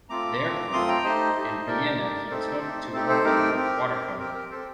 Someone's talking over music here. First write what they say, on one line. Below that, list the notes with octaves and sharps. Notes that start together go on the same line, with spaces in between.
Therefore, in Vienna he took to working with watercolor.
A3 C4 F4 A#5 D6
A3 C4 F4
A3 C4 F4 C6 D#6
G5 A#5
A3 D#4 G4 C5 D#5
A3 D#4 G4
A3 D#4 G4 A#4 D5
A3 D#4 G4
A3 C4 D#4 G4 A4 C5
A3 C4 D#4 G4
A3 C4 D#4 G4 A4
A4 C5
A3 C4 D#4 G4 A#4
C4 G4
C4 G4
C4 G4 A#4
A#4
C4 G4 A4 C5